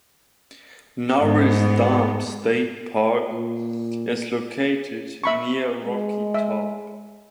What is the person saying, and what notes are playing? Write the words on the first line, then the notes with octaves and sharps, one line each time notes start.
Norris Dam State Park is located near Rocky Top.
G#2 B3
A#2
E5 B5 C#6
G#3
E5